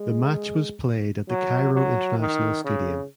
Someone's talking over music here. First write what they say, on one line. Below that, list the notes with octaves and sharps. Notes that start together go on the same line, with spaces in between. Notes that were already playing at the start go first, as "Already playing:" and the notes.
The match was played at the Cairo International Stadium.
Already playing: G#3
F#3
F#3
D#3
C#3